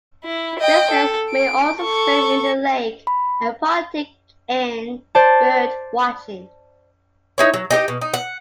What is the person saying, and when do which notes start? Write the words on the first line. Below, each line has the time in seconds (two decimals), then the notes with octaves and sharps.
Visitors may also swim in the lake and partake in birdwatching.
0.24 E4
0.60 D#5 G5
0.91 A4
1.30 D7
1.82 A4 C#6
3.07 B5
5.15 C5 D5 A5
7.38 D#4 E4 C#5
7.54 F#3
7.71 D#4 G4 A#4 D#5
7.88 B2
8.01 D#4
8.14 F#5